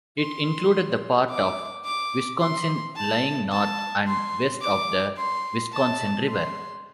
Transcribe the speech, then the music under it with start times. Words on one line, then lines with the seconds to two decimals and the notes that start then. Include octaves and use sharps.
It included the part of Wisconsin lying north and west of the Wisconsin River.
0.19 C6
1.30 D6
1.85 D6
2.40 C6
2.96 A5
3.52 A5
4.07 C6
4.61 D6
5.17 C6
5.73 A5
6.29 C6